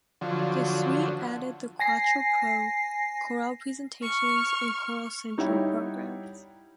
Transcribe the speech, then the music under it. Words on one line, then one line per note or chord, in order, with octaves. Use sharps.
This suite added the Quattro Pro, Corel Presentations and CorelCentral programs.
D3 F3 F#3
G#5 A#6 C7
C#6 F6
G3 D#4 E4 C#5 F#5 G5